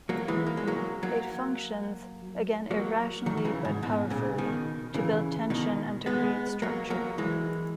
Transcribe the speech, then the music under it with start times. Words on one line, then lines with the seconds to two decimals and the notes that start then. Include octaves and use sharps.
It functions, again, irrationally, but powerfully, to build tension and to create structure.
0.09 F#3 A#3
0.28 E3 G#3
0.47 A#3
0.57 G#3
0.68 F#3 A#3
1.03 F#3 A#3
2.71 F#3 A#3
3.26 D#3 F#3
3.37 D#3
3.45 C#3 E3
3.65 G#2
3.82 G#2 B2
4.10 A#2 C#3
4.38 B2 D#3
4.94 C#3 E3
5.50 B2 D#3
6.06 G#3 B3
6.62 F#3 A#3
6.90 F#3 A#3
7.18 E3 G#3